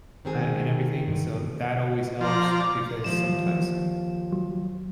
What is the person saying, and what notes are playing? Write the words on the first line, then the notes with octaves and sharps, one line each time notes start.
uh, and everything so, that always helps because sometimes,
D#3 C4 G#4
G2 D3 E3
F3 D5 A#5
D#2 F3 D5 E7
F#3